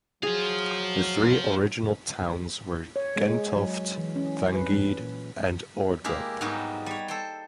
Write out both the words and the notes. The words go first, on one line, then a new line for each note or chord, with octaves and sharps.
The three original towns were Gentofte, Vangede and Ordrup.
F#3 G#4 C5 F5
C#5
G#3
F#3
E3
C#4
B4
A#2
G#3 A#3 E4 G4 A#4
G#2 F#3 G3 B3 D#4 F#4
G3 C#5
A4 C5 G5